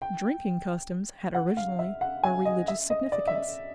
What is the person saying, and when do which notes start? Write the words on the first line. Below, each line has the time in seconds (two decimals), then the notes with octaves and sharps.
Drinking customs had originally a religious significance.
0.02 G5
1.34 F#5
1.57 F5
1.79 E5
2.01 F#5
2.23 G#5
2.45 D#5
2.68 E5
2.90 D#5
3.12 D5
3.28 E5
3.35 D#5